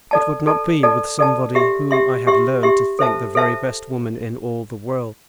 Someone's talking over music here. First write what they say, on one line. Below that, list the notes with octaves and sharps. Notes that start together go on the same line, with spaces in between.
It would not be with somebody whom I had learned to think the very best woman in all the world.
A4 D5 A5
A4 D5 A5
A4 D5 A5
A4 D5 A5
G4 E5 C6
G4 E5 C6
G4 E5 C6
G4 E5 C6
A4 C5 E5 A5
A4 C5 E5 A5